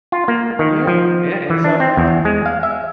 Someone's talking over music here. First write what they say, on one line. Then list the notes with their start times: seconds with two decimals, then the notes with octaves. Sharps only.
Yeah, yeah, it's, um,
0.12 F4
0.28 A#3
0.59 D#3
0.87 F3
1.50 E3
1.64 D4
1.80 C4
1.97 E2
2.25 G#3
2.46 F5
2.63 E5